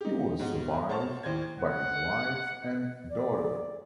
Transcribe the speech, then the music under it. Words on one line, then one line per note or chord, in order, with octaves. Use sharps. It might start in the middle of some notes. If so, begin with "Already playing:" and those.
He was survived by his wife and daughter.
D#4 G4
G#2 B2 F#5
C5 C#5 F#5 A5 C#6 F6
D#2 A2 C5 D5 G#6
F#5
D5